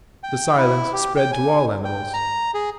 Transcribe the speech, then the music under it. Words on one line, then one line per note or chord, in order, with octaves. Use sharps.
The silence spread to all animals.
G5
E4
G4
G5
G#5
G5
A#5
G#4